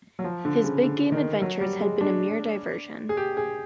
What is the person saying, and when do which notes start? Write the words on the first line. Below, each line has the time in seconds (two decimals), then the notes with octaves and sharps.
His big-game adventures had been a mere diversion.
0.19 F#3
0.24 F3
0.45 D3
0.64 C#3
0.83 D3
1.12 D#3
1.42 F#3
1.61 G3
1.80 G#3
2.01 D4
3.09 G#4
3.17 G4
3.37 G#4